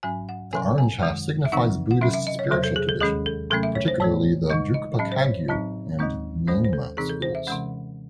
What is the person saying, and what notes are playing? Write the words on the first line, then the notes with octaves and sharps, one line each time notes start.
The orange half signifies Buddhist spiritual tradition, particularly the Drukpa Kagyu and Nyingma schools.
G#2 F#3 C#4 G#5
F#5
C3 F#3 C#4 G#5
G#5
F#2 D#3 G#3
E5
C#3 E3 C4 D#4 F#5
F#5
C3 F#3 C#4 E5
E5
D#5
C#5
E2 C3 F#3 C5
A4
G#4
A4
D#2 D#3 G#3 C#4 G#4
A4
C3 F#3 A3 C#4 A4
E5
C#5
C5
A2 E3 A3 C#5
C#3 G#3 D#4 D#5
D#5
A2 F#3 C#4 D#5
C5
C#5
A2 F#3 C4 D#4 D#5
D#2 D#3 G#3 C4 D#4
D#2 D#3 G#3 C#4 C5
C5
A4
C3 E3 C4 D#4 G#4
A4
C5
E5
C3 E3 G#3 C#4 F#5